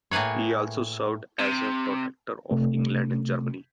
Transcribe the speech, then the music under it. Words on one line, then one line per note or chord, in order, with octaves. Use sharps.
He also served as the protector of England and Germany.
A2 A#3 G#4 B4 C#5
C3
C3 A3